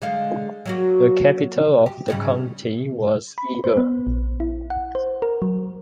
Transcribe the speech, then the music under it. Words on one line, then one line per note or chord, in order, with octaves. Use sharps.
The capital of the county was Eger.
D3 G#3 F5
F#3 A#3 F#4
G4
G#2 C#3 G3
B5
C5
B3
A#1
E4
F#5
C5
A#4
F#3